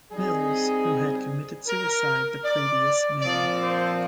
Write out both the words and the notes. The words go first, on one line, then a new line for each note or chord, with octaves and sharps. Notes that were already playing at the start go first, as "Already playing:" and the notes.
Mills, who had committed suicide the previous May.
G3 C4 D#4 G#4
A#4
D5
A#2 F3 C4 F4 D5
C5